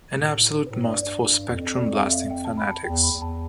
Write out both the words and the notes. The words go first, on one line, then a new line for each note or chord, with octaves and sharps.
An absolute must for Spectrum blasting fanatics.
A2
A2 B4
G2 D5
G2 D5
G2
F2
D5
E5
F5
G5
A5
B5
A5
E2 G5
B5
E2
A5